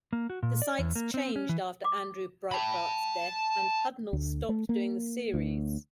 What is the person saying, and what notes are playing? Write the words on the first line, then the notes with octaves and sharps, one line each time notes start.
The sites changed after Andrew Breitbart's death and Hudnall stopped doing the series.
A#3
F#4
A#2
D5
E2
A#3
C4
C#4
E3
D6
A5 B5
D2
A3
A#3
D2